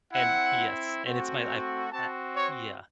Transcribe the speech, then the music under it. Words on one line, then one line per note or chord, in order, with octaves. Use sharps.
And yes, and it's my I've I yeah.
C4 E4 F#5
A3 C4 F#4
C4 F#4 A5
C#5